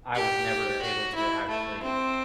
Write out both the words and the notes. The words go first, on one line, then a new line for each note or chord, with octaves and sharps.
I was never able to actually
G4
F#4
E4
A3
C4